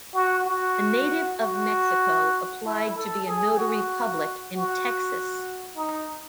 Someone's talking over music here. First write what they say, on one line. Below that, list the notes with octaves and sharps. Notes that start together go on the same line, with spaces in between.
A native of Mexico applied to be a notary public in Texas.
F#4
F#4
F#4
E4
A4
G#4
F#4
F#4
D#4